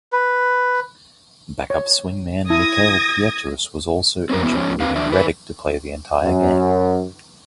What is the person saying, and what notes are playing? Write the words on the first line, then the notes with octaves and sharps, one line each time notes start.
Backup swingman Mickael Pietrus was also injured, leaving Redick to play the entire game.
B4
C#5
E4 D#6 G#6 A#6
C4 C#4 A#4
E2 B2 B3 C#4 E4
G#2 F3 C#4
D3 C4 B4 F5
E2 E3 D4 D5 E5
D#3 B4
F#2